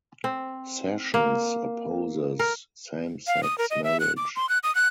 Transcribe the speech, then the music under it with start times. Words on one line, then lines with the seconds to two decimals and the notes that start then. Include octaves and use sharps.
Sessions opposes same-sex marriage.
0.24 C4
1.14 A#3
2.39 A#4
3.27 F5
3.43 D#6
3.58 A#4
3.70 D#5
3.84 E5
4.00 F#6
4.17 D6
4.36 C6
4.49 F#6
4.64 D#6
4.75 F#6